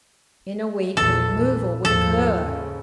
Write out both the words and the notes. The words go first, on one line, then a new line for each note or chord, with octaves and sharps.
In a week the removal would occur.
A#1 E2 E3 A4
A#1 E3
D#2 G#2 F3 A4
G#2 C#3